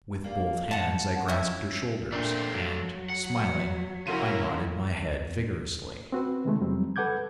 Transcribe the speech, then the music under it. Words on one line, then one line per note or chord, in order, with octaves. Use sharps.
With both hands I grasped her shoulders, and, smiling, I nodded my head vigorously.
G3 A#3
E2 F#5 A5
C#4 E4
A#2 A3 C4 D4 A#4
F#3 G#6 D7
F#5
C#3 C#4 E4 F#4 A#4 C6 D#7
C4 F#4 B4
C3 D#3 G#3 A3
F2 F#3 G3 C4
A4 B4 F#5 D6 G6 G#6